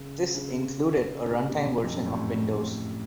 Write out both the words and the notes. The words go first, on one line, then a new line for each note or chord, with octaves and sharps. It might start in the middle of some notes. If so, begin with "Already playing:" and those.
This included a run-time version of Windows.
Already playing: C#3
C#3
C3
A#2
C3
F2
F#2
A2